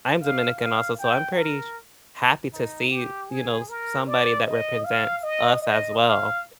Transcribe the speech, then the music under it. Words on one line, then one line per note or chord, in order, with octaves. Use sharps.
I'm Dominican also, so I'm pretty sh happy to see, you know, s somebody that represents us as well.
F5
F5
G5
A#4
D#4
G4
G#4
A#4
D5
D#5
F5
D#5
D#5
F5